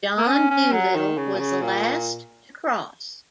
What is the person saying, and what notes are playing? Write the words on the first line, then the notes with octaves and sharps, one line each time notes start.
John Dolittle was the last to cross.
A#3
C#4
C#4
F#3
D#3
C#3
A#2
C#3
A#2